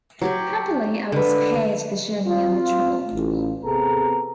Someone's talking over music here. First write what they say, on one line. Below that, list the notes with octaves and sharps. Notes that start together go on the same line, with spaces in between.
Happily, I was spared the journey and the trouble.
F#3 G4 C#5
D3 B4
C4 F4
A1
C3 B3 G#4 A4 A#5